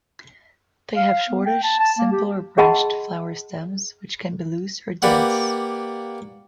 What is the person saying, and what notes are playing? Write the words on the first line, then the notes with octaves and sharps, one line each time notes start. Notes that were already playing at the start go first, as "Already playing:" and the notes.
They have shortish, simple or branched flower stems which can be loose or dense.
F5
B3
G5
A5
A5
A#3
G4
G#4 D#5 F#5 A5 B5 C6
A#3 G4 B4 D5 F#5